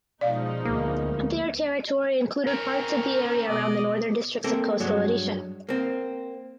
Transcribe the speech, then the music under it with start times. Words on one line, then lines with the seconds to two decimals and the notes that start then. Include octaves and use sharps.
Their territory included parts of the area around the northern districts of coastal Odisha.
0.21 B2 F3 G#3 D#4 D5 F5
0.65 D2 A#3 B3
2.47 C4 C#4 A#4
3.46 B2 D5 D#5
4.44 A#3 C4 A4 A#4
4.80 G2 F#3 G#3
5.69 A#3 C4